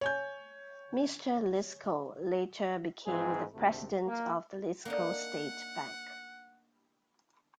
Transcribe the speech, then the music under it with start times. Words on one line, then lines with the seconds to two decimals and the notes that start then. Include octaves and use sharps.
Mr. Lisco later became the president of the Lisco State Bank.
0.01 C#5 G#5 G6
3.07 G#2 E3 C4 G#4
3.53 G#1 D2 C3 A3
4.06 A#3
4.85 A#3 D4 D#4 F#5